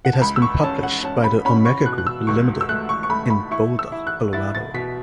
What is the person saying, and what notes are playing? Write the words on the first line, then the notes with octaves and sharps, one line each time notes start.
It has been published by the Omega Group Limited, in Boulder, Colorado.
F#5
A5
C#2 B5
E6
C#6
C#4 A5
F#5
C#4 A5
B5
C#4 B5
C#6
B2 F#6
F#6
E6
C#2 C#6
E6
A3 F#6
C#6
C#6
A3 B5
B5
E4 C#6
E6
E4
F#6
E4 A6
A6
B2 B6